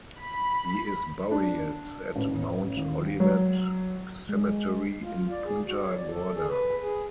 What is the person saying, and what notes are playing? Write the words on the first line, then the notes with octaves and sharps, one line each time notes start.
He is buried at Mount Olivet Cemetery in Punta Gorda.
B5
D4
A1
D#2
F#3
G#3
F4
D5
G#4
F#4
C#5
D5
A4
G#4
B4
G#4